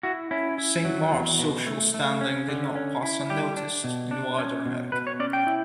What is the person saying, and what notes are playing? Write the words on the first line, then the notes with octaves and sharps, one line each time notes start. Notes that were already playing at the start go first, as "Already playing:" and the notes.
Saint Mark's social standing did not pass unnoticed in wider America.
E4 F#4
C#4 E4
E4
F#3
E2
B2
A3
A3
C#4
D3
C#4
E4
G3 G4
D4
B2
D4
C#4
B2
B2 B4
C#5
C#4 D5
G5
E4